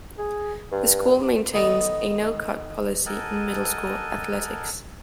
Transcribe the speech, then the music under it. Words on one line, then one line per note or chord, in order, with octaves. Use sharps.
The school maintains a no-cut policy in Middle School athletics.
G#4
G2
D#3 B3 D#4 A4 D#5
A4 A#4 D#5 F#5 G#5 A5